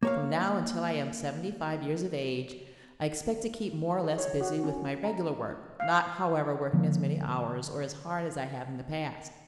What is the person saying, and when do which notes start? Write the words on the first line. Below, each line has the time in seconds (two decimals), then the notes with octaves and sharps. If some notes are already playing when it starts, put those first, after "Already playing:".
From now until I am seventy-five years of age, I expect to keep more or less busy with my regular work, not, however, working as many hours or as hard as I have in the past.
0.03 A#3 C#5 F5
4.04 G#4
4.18 C#5
4.41 F#4
4.64 C#4
5.04 A#5
5.80 F5
6.73 D3 F3 A#3